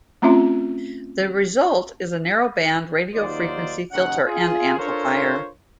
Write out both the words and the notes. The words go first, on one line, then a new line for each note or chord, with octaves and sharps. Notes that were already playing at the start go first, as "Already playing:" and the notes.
The result is a narrow-band radio-frequency filter and amplifier.
A3 C4 C#4 F4 E5 C6
D#2 F#3 D#4 F4 C5 D5
F#1 D#2 C#4 D#4 F#5
F4 G#4
D4 F4 A4 A#4 C5 C#5